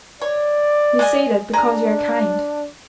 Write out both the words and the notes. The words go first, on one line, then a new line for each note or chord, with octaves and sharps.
'You say that because you are kind.
C#5 D5
G#3 D#5 G#5
D4 G#4 A#5